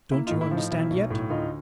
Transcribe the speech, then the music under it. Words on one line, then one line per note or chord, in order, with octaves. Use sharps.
"Don't you understand yet?"
A#3 E4
D#4 F4
A2
E4
F3
D#4
B1 E4
B1
A2
D2 D#4 F4